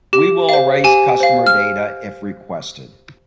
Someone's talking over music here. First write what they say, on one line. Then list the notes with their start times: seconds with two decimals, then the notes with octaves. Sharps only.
We will erase customer data if requested.
0.13 G4
0.49 C5 F5
0.84 G4 G#5
1.20 C5 F5
1.46 F6